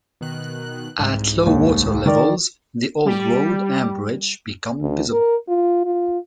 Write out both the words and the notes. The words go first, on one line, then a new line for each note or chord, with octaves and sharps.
At low water levels, the old road and bridge become visible.
B2 D#3 F#6
C2 G#2
D#2
D#3 A#4 D5
G3
D2
A#4
F4
F4